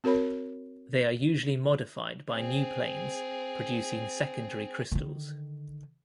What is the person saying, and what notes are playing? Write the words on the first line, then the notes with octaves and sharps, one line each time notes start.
They are usually modified by new planes, producing secondary crystals.
C4 F#4 A#4 C#5 B5
C4 G#4
D3 D#3